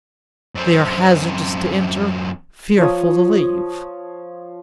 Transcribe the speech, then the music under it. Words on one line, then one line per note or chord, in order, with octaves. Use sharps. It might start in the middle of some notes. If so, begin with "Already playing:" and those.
They are hazardous to enter, fearful to leave.
F#2 C4
F3 C#5 D#6